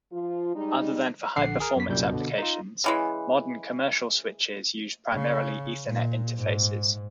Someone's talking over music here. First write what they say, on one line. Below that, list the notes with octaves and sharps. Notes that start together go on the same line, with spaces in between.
Other than for high-performance applications, modern commercial switches use primarily Ethernet interfaces.
F3 F4
G3 G#3 D#4
A#1 D3 F#5 C7
G#4 A#4
F#2 B6
C2 F#2 A#2 G3 G6
B2 D3
D#4 F4
C#3 E3 G#3
C#3
A#2
G#2